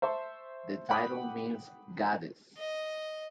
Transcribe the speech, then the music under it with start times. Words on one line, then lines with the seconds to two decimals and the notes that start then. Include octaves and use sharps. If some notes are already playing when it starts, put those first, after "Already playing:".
The title means "Goddess".
0.02 C5 E5 A5 C6 C#6
0.89 F#5 G5 B5 D6 D#6
2.58 D#5